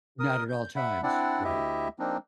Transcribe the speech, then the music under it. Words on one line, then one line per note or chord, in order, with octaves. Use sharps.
Not at all times, right.
A#4 D#6
G6
E5 F#5 B5
C4 D4 E4 D5 F#5
D2 E4 G4 D#5 E5
F3 A#3 C4 D4 D#4